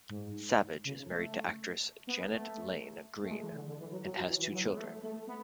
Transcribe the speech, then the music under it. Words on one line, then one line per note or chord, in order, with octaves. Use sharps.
Savage is married to actress Janet-Laine Green, and has two children.
G#2
C#3
A3
B3
A3
A3
G#3
E3
D3
D3
E3
F#3
F#3
F#3
E3
E3
F#3
B3
G#3
A3
A3
B3